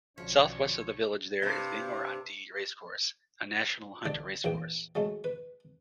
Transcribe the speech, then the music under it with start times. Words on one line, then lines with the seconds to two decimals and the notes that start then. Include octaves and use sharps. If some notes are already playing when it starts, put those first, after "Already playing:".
South-west of the village there is Bangor-on-Dee racecourse, a National Hunt racecourse.
0.18 B1 D3 D#3 F3 C#4 F#4 C#5 D5
1.42 G2 C3
4.05 B1 D3 D5
4.44 A#1 E2 A#3 G5
4.95 F#3 G#3 A3
5.24 B4